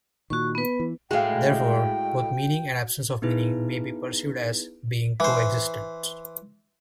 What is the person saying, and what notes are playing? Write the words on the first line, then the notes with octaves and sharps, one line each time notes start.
Therefore, both meaning and absence of meaning may be perceived as being co-existents.
A#2 D#3 F#4 C#6
B3 B4
E3
A2 G#3 F#4 F5 G5
B3 D#4 E4 G#4 B4
E3 C5